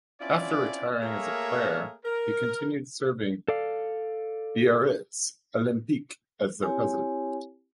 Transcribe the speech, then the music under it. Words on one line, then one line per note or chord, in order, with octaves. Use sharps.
After retiring as a player, he continued serving Biarritz Olympique as their president.
C4 C#4 E4 F4 D5
A3 A#3 G#4 A#4 C#5 E5
A#4
A4 D5 F5
C4 E4 G4 C#5 G#5